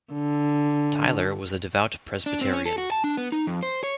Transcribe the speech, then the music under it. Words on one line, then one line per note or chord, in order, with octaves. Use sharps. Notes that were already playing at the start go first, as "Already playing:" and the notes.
Tyler was a devout Presbyterian.
D3
D4
C4
C#4
A4
F#4
A5
D4
B3
D#4
F2
C5
C#5